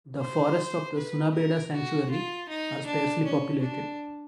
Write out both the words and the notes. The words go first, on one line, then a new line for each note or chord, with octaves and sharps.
The forests of the Sunabeda Sanctuary are sparsely populated.
C5
B4
A#4
F#4
F4
D#4
D4
C#4
D4